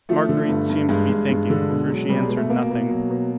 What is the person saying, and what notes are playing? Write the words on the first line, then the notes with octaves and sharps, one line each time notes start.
Marguerite seemed to be thinking, for she answered nothing.
F3 A3
D3
G2
G2
G2 G#3
G2
G2
D3
B2
F#3
B2 G3
G#3
B2
A3
B2 A#3
B2
F#3
B2